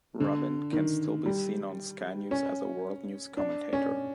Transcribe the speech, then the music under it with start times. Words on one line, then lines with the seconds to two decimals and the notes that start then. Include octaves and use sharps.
Rubin can still be seen on Sky News as a World News Commentator.
0.20 D3
0.73 D#3
1.26 G3
2.31 C#4
3.37 D4
3.73 C#4